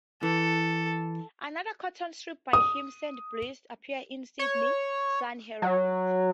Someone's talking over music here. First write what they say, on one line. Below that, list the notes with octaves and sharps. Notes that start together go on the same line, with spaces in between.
Another cartoon strip by him, "Sandy Blight", appeared in Sydney's "Sun-Herald".
E3 A4
D#6
C#5
F#3